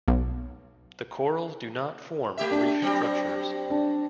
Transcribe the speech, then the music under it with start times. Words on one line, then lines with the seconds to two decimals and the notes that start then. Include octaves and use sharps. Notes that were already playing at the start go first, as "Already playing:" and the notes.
The corals do not form reef structures.
0.08 B1
2.37 A3 G4 E5
2.51 D4
2.82 F#3 G3 C4
3.70 D4